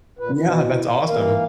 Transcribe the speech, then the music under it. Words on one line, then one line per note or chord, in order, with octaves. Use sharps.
Yeah, that's awesome.
A#2 B4
B2 E4
D5
E3 A#3 A#4 F5